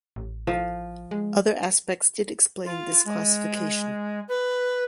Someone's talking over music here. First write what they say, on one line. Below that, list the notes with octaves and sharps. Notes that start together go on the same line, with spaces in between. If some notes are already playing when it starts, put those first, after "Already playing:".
Other aspects did explain this classification.
A1
F3
G#3
F4
G#3
B4